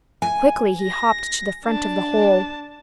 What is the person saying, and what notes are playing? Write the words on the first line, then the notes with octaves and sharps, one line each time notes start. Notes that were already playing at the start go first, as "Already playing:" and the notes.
Quickly he hopped to the front of the hole.
G#5
A#6
D4 A5